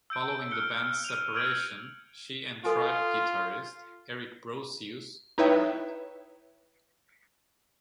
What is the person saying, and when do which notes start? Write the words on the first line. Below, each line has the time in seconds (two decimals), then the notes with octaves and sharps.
Following the band's separation, she and Tribe guitarist Eric Brosius married.
0.10 E6 G6 D7
0.29 D7
0.51 F6 F#6 C#7 G7
1.04 D#7 F7
1.35 E6 F6 G6 G#6 D7 F#7
2.65 F4 A4 G#5
5.38 D#4 E4 B4 C#5 E5 G5